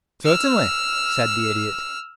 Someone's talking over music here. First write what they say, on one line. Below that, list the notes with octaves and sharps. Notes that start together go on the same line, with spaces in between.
"Certainly," said the Idiot.
E6 F6